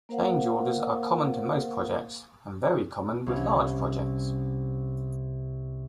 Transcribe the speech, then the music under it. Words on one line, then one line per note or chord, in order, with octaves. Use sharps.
Change orders are common to most projects, and very common with large projects.
A#3 A#4 C5 F5 F#5
C2 C#4